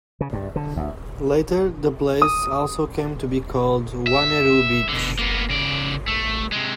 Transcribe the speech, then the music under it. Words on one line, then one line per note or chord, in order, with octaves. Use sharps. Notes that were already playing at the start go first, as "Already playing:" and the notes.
Later, the place also came to be called "Wanneroo Beach".
C#3
G2
D3
D2
D#6
E5
B2 D3
A#3 B3
C#3 D5
A3
C3 G#3